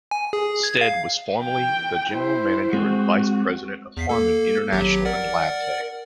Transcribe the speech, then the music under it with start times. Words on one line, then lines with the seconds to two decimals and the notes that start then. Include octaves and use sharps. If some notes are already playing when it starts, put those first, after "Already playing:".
Stead was formerly the General Manager and Vice President of Harman International and Labtec.
0.11 G#5
0.33 G#4
0.63 G#6
0.81 F5
1.44 G5
2.10 E4 C5
2.73 G#3 C4 F#4
3.97 E2 B6 C7
4.09 A#3 A4
4.72 G#1 F#3 G4
5.05 A#4 D5 F#5